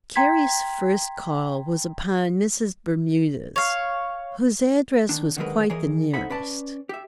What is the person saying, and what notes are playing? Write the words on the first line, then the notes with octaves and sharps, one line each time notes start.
Carrie's first call was upon Mrs. Bermudez, whose address was quite the nearest.
G5 A#5 C6 G#6 B6
C#5 F5
D#3 D4
D3 D#3 F#3 G#3 A#4 B4
E3 G#4 A#4 C#5 D#5
D#4 A4 C5 E5 F#5 B5
C#4 B4 D5 A5
G4 E5